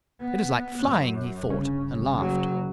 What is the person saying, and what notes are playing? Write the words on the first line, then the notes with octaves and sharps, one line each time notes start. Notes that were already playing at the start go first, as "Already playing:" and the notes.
"It is like flying," he thought and laughed.
B3
F#2
G1 C#3 C#4
F#1 C#3 F#3